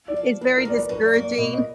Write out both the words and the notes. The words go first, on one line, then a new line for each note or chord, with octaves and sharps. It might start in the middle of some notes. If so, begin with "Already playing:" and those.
It's very discouraging.
D5
F3
G#3 B4
A#4
D#2 D5
B4
F#2 B4
D5
A#3
D5
B2 D#5
D#5